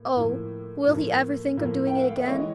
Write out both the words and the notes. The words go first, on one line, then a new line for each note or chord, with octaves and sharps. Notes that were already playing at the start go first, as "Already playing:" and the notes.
Oh! will be ever think of doing it again!
Already playing: A2 A#3
A2 F3 A#3
A2 F3 A#3
A2 F3 A#3
G5
F#5
F5
E5
E3 G#3 C#5 D#5